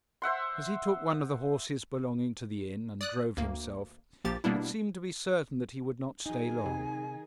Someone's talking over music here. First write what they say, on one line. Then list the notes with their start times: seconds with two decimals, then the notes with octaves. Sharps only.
As he took one of the horses belonging to the inn and drove himself, it seemed to be certain that he would not stay long.
0.22 C5 E5 F#5 C6
3.01 D5 D#6 F#6
3.37 D2 A#3
4.24 A#1 F3 A#3 G4 A6
4.44 B2 G3 A#3 B3 D4 E4
6.26 D#3 F#3 D#4 G#4 G#5
6.66 C3